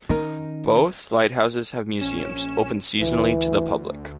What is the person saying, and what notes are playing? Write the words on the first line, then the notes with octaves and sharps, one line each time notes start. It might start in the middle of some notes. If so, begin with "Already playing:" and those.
Both lighthouses have museums, open seasonally to the public.
D#3 C#4 D#4 A#4
A#1 C#4 E7
D2 E3